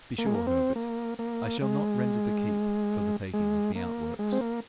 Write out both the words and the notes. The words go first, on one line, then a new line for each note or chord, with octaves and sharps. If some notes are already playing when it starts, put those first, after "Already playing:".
Be sure, Herbert, I shall not render the keep for the taking of the outworks.'
A#3
G#3
A#3
C4
A#3
A#3
G#3
G#3
A#3
G#3
C4
A#3